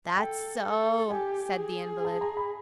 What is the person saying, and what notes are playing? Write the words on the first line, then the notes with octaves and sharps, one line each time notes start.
"That's so," said the invalid.
A4 G5
A4
G4 G#5
G#4
A5
A#5
B5